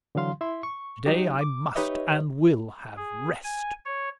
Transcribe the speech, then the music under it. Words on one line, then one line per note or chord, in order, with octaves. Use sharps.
To-day I must and will have rest.
D3 E3 F#3 F5 C6
E4 E5 C6
C#6
F#3 D#4 F#4 G4
D6
D#4 G4 B4 C#5 D#5 E5
G#4
G#5
C#5